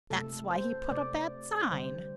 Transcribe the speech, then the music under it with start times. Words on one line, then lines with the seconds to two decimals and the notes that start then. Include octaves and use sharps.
That's why he put up that sign.
0.10 C3 A3 A4
0.50 C5
0.91 C3 A3 D5
1.71 D3 G3 C5